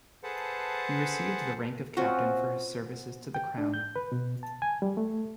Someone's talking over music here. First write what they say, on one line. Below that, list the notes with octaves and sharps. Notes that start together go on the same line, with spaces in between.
He received the rank of captain for his services to the Crown.
G#4 A4 B4 C5 F#5 A5
C4 C#4 F4 F#4
G5
D4
G6
B4
B2
A5
G#5
G3
A3